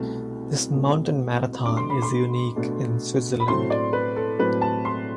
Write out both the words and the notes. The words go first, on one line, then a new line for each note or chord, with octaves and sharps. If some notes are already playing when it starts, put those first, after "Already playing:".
This Mountain Marathon is unique in Switzerland.
Already playing: C2 B2 A3
C2 B2 A3
B2 A3 D4 D6
C6
B5
C6
B2 A3 D4
B5
A2 F#3 A3 C4 C6
D5
B4
A4
A2 F#3 A3 C4 B4
A5
C6